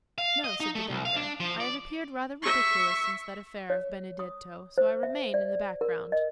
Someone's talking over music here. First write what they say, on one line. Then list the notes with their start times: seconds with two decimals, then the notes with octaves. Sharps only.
"No," said the banker; "I have appeared rather ridiculous since that affair of Benedetto, so I remain in the background."
0.18 F5
0.44 D#5
0.60 D#4
0.75 A3
0.90 C2
1.05 F5
1.16 D4
1.40 F3
1.60 D5
2.42 E5 C#6
3.70 C#5
4.19 D#6
4.78 C5
5.03 E5
5.34 D5
5.81 A#4
6.12 D#5